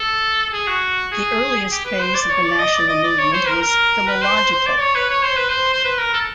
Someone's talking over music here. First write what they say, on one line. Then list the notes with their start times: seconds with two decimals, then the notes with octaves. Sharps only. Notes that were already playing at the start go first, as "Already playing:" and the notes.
The earliest phase of the national movement was philological.
Already playing: A4
0.53 G#4
0.67 F#4
1.12 G#4
1.71 G4
1.85 B4
2.00 C5
2.15 D5
2.30 C#5
2.44 D5
2.59 D#5
2.73 D5
2.89 D#5
3.03 D5
3.19 C#5
3.33 C5
3.48 A#4
3.62 A#4
4.07 B4
4.22 C5
4.36 C5
4.52 C5
4.66 D5
4.81 C#5
4.95 B4
5.10 C#5
5.23 C5
5.37 B4
5.49 C5
5.73 C5
5.85 B4
5.98 A#4
6.13 A4